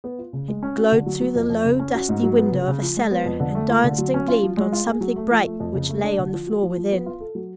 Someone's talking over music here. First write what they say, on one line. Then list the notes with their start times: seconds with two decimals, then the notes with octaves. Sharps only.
It glowed through the low, dusty window of a cellar, and danced and gleamed on something bright which lay on the floor within.
0.04 B3
0.19 F4
0.33 C#3
0.48 G#3
0.63 C#4
0.78 F#4
0.92 D3
1.06 F#3
1.21 F#3
1.35 F2
1.50 F2
1.64 C#3
1.80 C#4
1.95 F#4
2.09 G#2
2.23 F#3
2.38 B3
2.52 C#3
2.68 C#3
2.82 F3
2.97 G#3
3.11 B3
3.25 F2
3.40 D3
3.55 A3
3.69 F4
3.84 D3
3.98 F#3
4.14 C#4
4.28 F4
4.43 F3
4.57 G#3
4.72 F4
4.87 G#4
5.01 F#3
5.16 A3
5.31 F3
5.46 A3
5.60 F2
5.74 C#3
5.89 A3
6.04 D4
6.18 D3
6.33 F3
6.47 F#4
6.62 F3
6.77 F3
6.92 B3
7.06 F4
7.21 A4
7.35 F#3